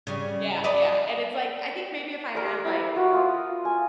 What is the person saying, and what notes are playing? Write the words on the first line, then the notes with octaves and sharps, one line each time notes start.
Yeah, yeah, and it's, like I think maybe if I had, like,
C#3 G3
B4 D5 D#5
G4 A#4 D5
E4 A#4 D5
F#4
F4 D#6
G#5